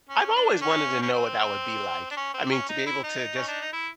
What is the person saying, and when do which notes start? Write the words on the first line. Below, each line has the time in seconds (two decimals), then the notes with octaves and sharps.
I've always wanted to know what that would be like, I mean, to be able to just
0.09 C#4
0.36 D4
0.61 C#4
1.02 C#4
1.14 C4
2.11 D4
2.17 C#4
2.34 C4
2.52 C#4
2.69 D#4
2.86 E4
3.03 D#4
3.36 C#4
3.48 D4
3.61 D#4
3.73 E4